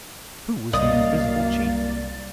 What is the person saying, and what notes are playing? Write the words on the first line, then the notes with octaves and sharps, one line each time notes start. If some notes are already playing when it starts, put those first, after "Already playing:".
Who was the invisible chief?
C2 F#2 A#3 D5 D#5 F5 A6